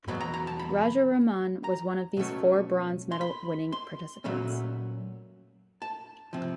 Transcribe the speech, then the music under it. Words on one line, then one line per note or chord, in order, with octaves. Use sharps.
Rajaraman was one of these four bronze medal winning participants.
E2 B2 F#3 B3 B5
A#5
A#5
A5
B5
A#5
B2 F#3 A3 C#4
C6
B5
C6
A#2 F#3 A3 C#4 B5
A5
C3 F3